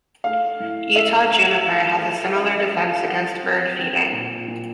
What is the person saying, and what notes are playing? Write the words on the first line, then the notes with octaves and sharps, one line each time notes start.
Utah juniper has a similar defense against bird feeding.
A3 F5
A2
C#4 E5
A3
F3 F5
A3
C#4 E5
E5
A3
F5
G3 F#5
C4
C4
A#2
A#2